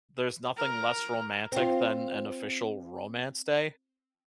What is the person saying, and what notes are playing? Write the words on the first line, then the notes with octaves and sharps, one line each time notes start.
there's nothing less romantic than an official romance day.
A#4
C4 F4